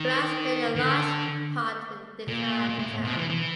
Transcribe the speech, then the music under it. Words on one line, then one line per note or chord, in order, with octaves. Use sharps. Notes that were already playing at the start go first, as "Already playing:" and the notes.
Floods played a large part in the decline of the town.
Already playing: D#3
D3
A#2
A#2
A2
B2
E3
E3